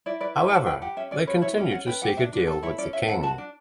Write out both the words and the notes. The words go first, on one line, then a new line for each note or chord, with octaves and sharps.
However, they continued to seek a deal with the king.
E4 D5
B4 D5
E4
B4 A5
B4 G5
G4 F#5
C#4 E5
C#4 D5
B4 C#5
E4 C#5
C#4 D5
C#4 F#5
B4 G5
G4 F#5
D4 E5
D4
A4
E4 C#5
C#4 D5
C#4 E5
A4 F#5
F#4 A5
D4